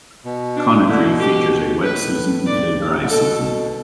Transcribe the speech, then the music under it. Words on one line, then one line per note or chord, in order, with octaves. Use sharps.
Conakry features a wet season and a dry season.
B2
D4
D3 E4
B2
G4
G2
A2 B4
A2 D5
G2
A2
D3
B2 A4